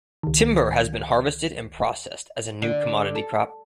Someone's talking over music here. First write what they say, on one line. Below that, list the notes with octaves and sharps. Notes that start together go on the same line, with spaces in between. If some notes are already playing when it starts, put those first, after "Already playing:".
Timber has been harvested and processed as a new commodity crop.
C#2 D#3
D3
A4